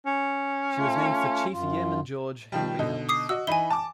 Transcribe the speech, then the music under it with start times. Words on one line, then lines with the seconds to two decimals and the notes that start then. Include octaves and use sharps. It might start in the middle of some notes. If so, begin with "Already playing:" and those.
She was named for Chief Yeoman George Henry Ellis.
0.06 C#4
0.76 A3 F4
1.52 F#2 F4
2.52 D#3 F3 G3
2.79 B2 D3 D#4
3.09 D6 D#6 C7
3.29 F#4 D#5 E6
3.47 E3 D#4 G#5 B5 G7
3.70 A5 D6